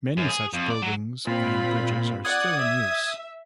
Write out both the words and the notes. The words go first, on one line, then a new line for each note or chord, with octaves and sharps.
Many such buildings and bridges are still in use.
F#2
G#4
F2
D5
F#3
A#2 C4 F4 B5
D5 F#5 D#6 G#6
E5